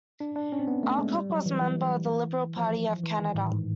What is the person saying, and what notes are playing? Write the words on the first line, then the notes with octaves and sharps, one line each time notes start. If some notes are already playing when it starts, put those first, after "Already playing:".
Alcock was a member of the Liberal Party of Canada.
D4
D4
C#4
C4
B3
A3
G#3
G3
F#3
E3
E3
F3
E3
D#3
A2
G#2